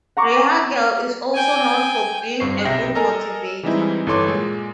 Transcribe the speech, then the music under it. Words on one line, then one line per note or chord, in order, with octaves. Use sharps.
Rehhagel is also known for being a good motivator.
F#5 A#5 C#6 D6
G5 G#5
G1 G2 C4 C#6 C7
B1 C3 E5 G5 A#6
A4 A#4 D#5 G#5 A#5
E3 G3 G#3 C4 D#4 E4
G1 E3 A4 C#5 C6 D6
A#2 G#3